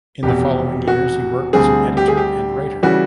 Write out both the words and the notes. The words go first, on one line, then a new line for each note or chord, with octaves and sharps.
In the following years he worked as an editor and writer.
F1 E2 B2 G4
F#4
D2 D3 G3 C4 G#4
G4
G#4
G4
C#3 E3 G3 F#4